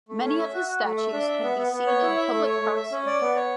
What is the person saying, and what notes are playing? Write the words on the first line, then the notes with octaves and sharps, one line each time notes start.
Many of his statues can be seen in public parks in Vienna.
A3
C#4
E5
F#4
F#4
A3
E5
D4
E5
B3
B3
B3
C#5
E4
E5
A3
C#5
A3
E5
C#4
D5
B3
C#5